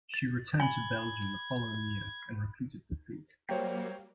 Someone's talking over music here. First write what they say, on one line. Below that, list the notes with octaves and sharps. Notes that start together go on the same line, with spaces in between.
She returned to Belgium the following year and repeated the feat.
A6
G#5 B5 G#6 F#7 G7
F#3 G3 A#3 C5 C#5 G5